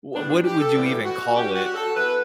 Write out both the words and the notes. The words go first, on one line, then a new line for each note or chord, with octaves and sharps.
wha what would you even call it?
A2 E3 G3 B3 D4
D4
G4
A4
A2 E3 G3 B3 G4
F#4
E3 G3 C#4 G4
F#4
A4
E3 B3 B4